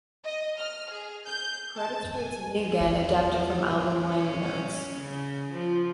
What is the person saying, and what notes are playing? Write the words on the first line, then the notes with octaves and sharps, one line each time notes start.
Credits for It's Me Again adapted from album liner notes.
D#5
F6
G#4
G6
A5
G#5
E2
C#4
C#3
F3